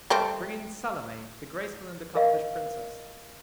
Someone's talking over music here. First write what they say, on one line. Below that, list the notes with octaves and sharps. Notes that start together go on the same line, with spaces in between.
Bring in Salome, the graceful and accomplished princess.
G3 A3 C4
A#4 D#5 F5